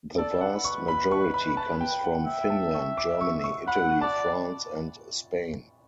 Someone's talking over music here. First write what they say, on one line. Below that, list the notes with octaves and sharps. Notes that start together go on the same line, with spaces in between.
The vast majority comes from Finland, Germany, Italy, France and Spain.
A4 D5
F#5
B4
C#6
B5
C#6
B5
A5
G5
F#5
E5 G5
A5
C#6
D6
C#6
C#6
F#5 B5
D5 A5